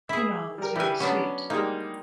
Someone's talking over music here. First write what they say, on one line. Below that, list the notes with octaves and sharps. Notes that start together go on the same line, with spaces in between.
Kunal is very sweet.
E4 G#4
G3 A#4
G3 E4 G4 B4 G#5
F#3 B3 C#4 D4
G3 G#3 A#3 D#4